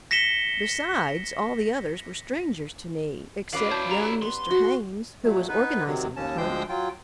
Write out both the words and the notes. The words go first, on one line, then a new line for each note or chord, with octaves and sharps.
Besides, all the others were strangers to me except young Mr. Haynes, who was organizing the hunt.
A#6 B6 C#7 E7 G7
C#4 E4 B4 D5 F5 F#7
C#5 A5 G6
G4 A#5
B3 C6
F#4
A#2 F#3 A3
B3 D#4 B4
C3 D#3 F#3
D#2 C#4 A5
D2 F3 G#3 C5 G5 G6
F#3 F4 G5